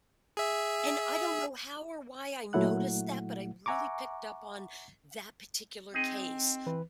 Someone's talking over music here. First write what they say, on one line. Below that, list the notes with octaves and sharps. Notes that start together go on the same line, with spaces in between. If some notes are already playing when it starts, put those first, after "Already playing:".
and I don't know how or why I noticed that, but I really picked up on that particular case,
G#4 E5
A#2 F#3 A3 E4 F#5 F#6
E5 F#5 G#5 A#5 C#6 D6
C4 D#4 G#4 D#5
E3 B4